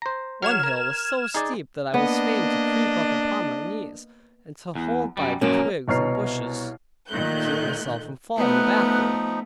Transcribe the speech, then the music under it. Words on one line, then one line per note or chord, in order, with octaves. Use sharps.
One hill was so steep that I was fain to creep up upon my knees, and to hold by the twigs and bushes to keep myself from falling backward.
C5 A#5
F#3 F6 G#6 E7
A#4
D#4 G#4 D5
A#3 B3 D4 D#5
E2
F#2 G3
F#2 A#2 F3 A#3 C#4
C2 B2 C#5 A#5 F6 C7
A#2 D#3 A3 F#6 G6
F3 A3 B3 D#4 B4